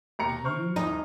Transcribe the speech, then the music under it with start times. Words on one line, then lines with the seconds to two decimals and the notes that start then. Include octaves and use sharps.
Do you
0.19 D#2 A#5 C#7
0.44 C5 C#6 F6
0.76 D#1 D#4